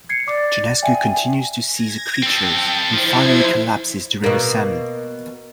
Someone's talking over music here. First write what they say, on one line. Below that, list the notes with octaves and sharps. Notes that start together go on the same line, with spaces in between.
Jonascu continues to see the creatures, and finally collapses during a sermon.
G#6 C7 C#7
D5 D6
D5 E5 G5 G#5
G#6 A#6
C4 A4 G5
F3 D4 E4 C5 G#6
B2 A#3